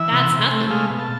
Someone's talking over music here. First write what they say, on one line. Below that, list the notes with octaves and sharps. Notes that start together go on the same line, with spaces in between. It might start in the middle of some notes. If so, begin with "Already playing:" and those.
That's nothing.
Already playing: E3 E5
C3
C3
A3
G#3 F5
B2
A5